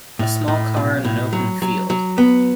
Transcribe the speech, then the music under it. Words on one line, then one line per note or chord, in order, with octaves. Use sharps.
A small car in an open field.
A2
A2
B1
A2
F#3
F#3
F#3
B3